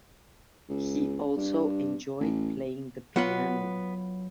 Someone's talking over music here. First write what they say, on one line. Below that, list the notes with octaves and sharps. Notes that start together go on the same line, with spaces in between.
He also enjoyed playing the piano.
C#2
G2
A1
F#3 B3 F4 F#5